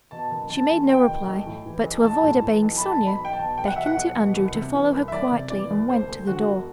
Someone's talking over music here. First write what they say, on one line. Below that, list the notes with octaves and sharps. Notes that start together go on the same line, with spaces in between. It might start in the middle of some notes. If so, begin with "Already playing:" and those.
She made no reply, but to avoid obeying Sonya beckoned to Andrew to follow her quietly and went to the door.
B2 A5
F#1
F#1 A5
E2
B2 G5
F#1
B1
A2
E3
B1
B1 A5
A2
E3
B1
B5
B1 A5
B2
B5
B1 G5
A5
B2
B1 G5
F#5
B2 E5
F#5
B1
B2
C2
C3
E3
C2
E5
C2 D5
C3
E3 D5
C2
E1 C5
D2
D3 F#4
E1